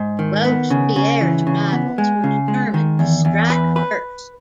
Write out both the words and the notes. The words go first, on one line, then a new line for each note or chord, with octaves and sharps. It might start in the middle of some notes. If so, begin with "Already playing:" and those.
Robespierre's rivals were determined to strike first.
Already playing: G#2
D#3
B3
C#3
C#3
E3
C#3
B3
G#3
C#3
G#3
D#3
E2
E2
B4
B4